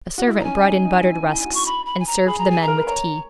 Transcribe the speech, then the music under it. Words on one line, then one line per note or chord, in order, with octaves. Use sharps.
A servant brought in buttered rusks, and served the men with tea.
F#4
E4
D#4
A#5
C#4 G#5
D#4
D#4
E4
D#4
E4
F#4
C#6
B5
B5
G#5
A#5
G#4 B5
A#5
G#4
G#5
A#5
A#4
B4
C#5 A#5